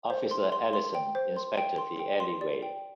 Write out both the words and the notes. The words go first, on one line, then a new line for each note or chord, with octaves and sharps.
Officer Ellison inspected the alleyway.
C5
C6
C6
C6
G5
C5
C6
G5
C6
G5
C6
D5
G5